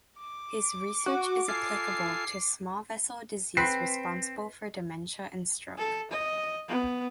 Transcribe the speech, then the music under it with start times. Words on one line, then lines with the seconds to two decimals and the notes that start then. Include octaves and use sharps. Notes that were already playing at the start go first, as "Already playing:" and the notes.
His research is applicable to small vessel disease responsible for dementia and stroke.
0.18 D6
1.06 F#4
1.48 F4 A4 G#5 C7
3.57 C4 B4 C6 B6 C7
5.78 A4
6.11 D#5
6.68 B3